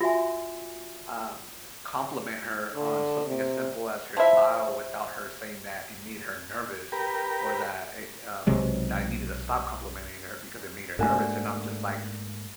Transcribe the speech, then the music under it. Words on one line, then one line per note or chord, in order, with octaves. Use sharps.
um, compliment her on something as simple as her style without her saying that it made her nervous or that it, um that I needed to stop complimenting her because it made her nervous, and I'm just like,
F4 F#4 E5 G#5
D3
C3
F3 E4 E5
G4 A#4 B4
B1 C3 F#3 G#3
G#2 A3 A#3 D4 F#4 G#5